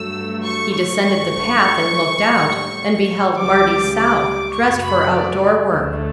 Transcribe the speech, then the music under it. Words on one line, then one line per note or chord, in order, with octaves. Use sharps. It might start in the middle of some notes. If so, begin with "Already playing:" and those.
He descended the path and looked out, and beheld Marty South, dressed for out-door work.
Already playing: G2 F#3 A3 E6
C#6
C#6
G2 F#3 A3 C#6
A2 G3
C#2 C#3 G3 D6
D6
F#2 C#3 F#3 A3 C#6
B5
D5
D2 D3 A3